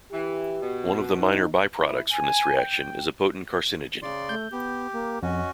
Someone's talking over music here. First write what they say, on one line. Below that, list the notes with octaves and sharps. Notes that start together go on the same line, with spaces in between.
One of the minor by-products from this reaction is a potent carcinogen.
E3 G4
B2
D#4
E4
G#5
G5
C#3 D5 C6
A3 G6
B3 G4
A#3
F2 C#4 F#4 D#5